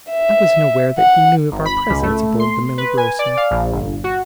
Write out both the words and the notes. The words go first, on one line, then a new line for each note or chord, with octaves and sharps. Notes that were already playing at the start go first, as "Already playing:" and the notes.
"I wasn't aware that he knew of our presence aboard the Milagrosa."
E5
F#5
G#1
B5
C#2
A3
C6
B4
G#5
D5
F5
A#1
G1
F#4